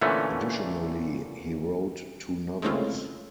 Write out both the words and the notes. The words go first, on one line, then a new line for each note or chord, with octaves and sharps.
Additionally, he wrote two novels.
A#2 D3 E3 A3 C#4
G#3 A3 C4 C#4 E4 F4